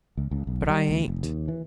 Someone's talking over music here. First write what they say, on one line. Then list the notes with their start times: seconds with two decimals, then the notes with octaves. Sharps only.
"But I ain't."
0.17 C#2
0.31 C#2
0.47 B1
0.70 G3
0.90 D2
1.08 F1
1.23 D#2
1.48 E3